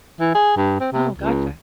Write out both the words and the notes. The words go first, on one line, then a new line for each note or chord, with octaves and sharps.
Oh, gotcha.
E3
G#4
G2
C4
C3
C#2